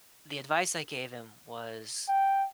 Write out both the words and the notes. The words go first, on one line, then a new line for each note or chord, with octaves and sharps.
the advice I gave him was,
G5